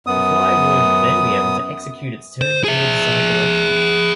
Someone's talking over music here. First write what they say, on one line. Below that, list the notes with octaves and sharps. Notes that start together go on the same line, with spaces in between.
The fly would then be able to execute its turn in the desired direction.
F#2 B3 D#6
C5
G#4 E5